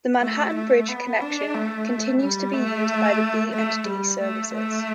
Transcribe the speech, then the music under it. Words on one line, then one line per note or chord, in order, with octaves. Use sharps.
The Manhattan Bridge connection continues to be used by the B and D services.
A3
A3
B3
D4
A3
G3
A3
A3
G3
A3
A3